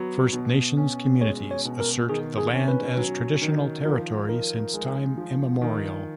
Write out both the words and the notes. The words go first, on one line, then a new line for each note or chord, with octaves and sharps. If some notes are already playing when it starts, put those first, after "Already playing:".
First Nations communities assert the land as traditional territory since time immemorial.
Already playing: F#3 B3
B2
C#4
G#3 C#5
C#5
B2
A#4
D#3 G#4
G#4
C#4
B4
F#3
D#3
F3 A#4
D#4 A#4
G#3
F3
D#3